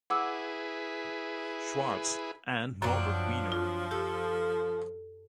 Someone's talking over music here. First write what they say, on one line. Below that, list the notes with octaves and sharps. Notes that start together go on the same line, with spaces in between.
Schwartz, and Norbert Wiener.
E4 G#4 B4 F#5 D6 E6
F#2 F3 F#3 C4 D4 A#5
F4
G4 A4